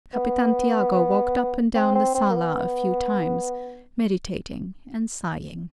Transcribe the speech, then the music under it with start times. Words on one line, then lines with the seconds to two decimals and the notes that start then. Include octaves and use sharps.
Capitan Tiago walked up and down the sala a few times, meditating and sighing.
0.14 B3
1.75 C4
1.95 C4
2.15 C4
2.30 A#3
2.36 B3